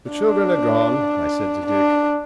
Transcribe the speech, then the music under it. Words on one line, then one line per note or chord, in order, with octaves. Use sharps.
"The children are gone," I said to Dick.
D4
D4